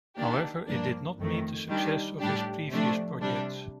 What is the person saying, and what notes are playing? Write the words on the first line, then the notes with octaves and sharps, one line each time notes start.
However, it did not meet the success of his previous projects.
D#3 A#3 D4 G4
G2 F3 A#3 D4
F2 D#3 A3
D#3 G3 D4 G4
A2 G3 D4 G4
C3 F3 A3 D4
C3 G3 D4